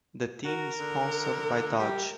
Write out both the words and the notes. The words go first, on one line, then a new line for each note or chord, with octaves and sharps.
The team is sponsored by Dodge.
F#4 A#4
D3
G3